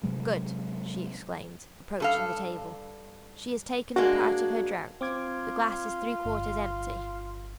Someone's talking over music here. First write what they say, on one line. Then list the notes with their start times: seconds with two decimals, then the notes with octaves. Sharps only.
"Good," she exclaimed, approaching the table, "she has taken part of her draught; the glass is three-quarters empty."
0.03 C3 F#3 G#3
2.00 G2 A4 F5
3.96 G#3 A#3 D4 F#4
5.01 C4 F4 D6 G#6
6.25 G1